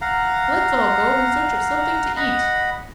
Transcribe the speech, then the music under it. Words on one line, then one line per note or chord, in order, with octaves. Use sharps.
"Let's all go in search of something to eat!"
F5 F#5 A#5
D#5 F#5 B5